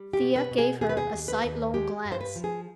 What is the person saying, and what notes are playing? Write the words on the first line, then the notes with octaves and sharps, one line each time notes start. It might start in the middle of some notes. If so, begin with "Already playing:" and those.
Thea gave her a sidelong glance.
Already playing: G3
G4
B2
B4
B2
G#4
D#2 G#4
B4
G#4
D#2
B4
D#2
G#3 G4
G2
C5
B4
F3
G#4